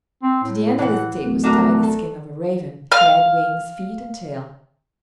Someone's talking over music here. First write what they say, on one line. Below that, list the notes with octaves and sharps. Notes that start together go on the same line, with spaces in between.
To the end of the stick was tied the skin of a raven--head, wings, feet, and tail.
C4
A2
E3 F#5
D1
A3 D4 F#4 A#4
A4
F5 F6